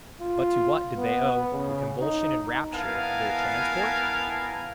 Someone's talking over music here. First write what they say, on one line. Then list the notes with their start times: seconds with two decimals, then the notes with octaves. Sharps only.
But to what did they owe the convulsion and rapture of their transport?
0.20 F4
0.97 B3
1.52 C#3
2.01 D#4
2.73 B3 E4 A#4 F5 G#5 A5